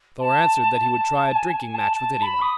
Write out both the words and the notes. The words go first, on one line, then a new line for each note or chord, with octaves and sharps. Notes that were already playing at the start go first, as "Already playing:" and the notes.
Thor answered that he would try a drinking-match with any one.
A5
A5
G#5
A5
G#5
A5
A5
B5
D#6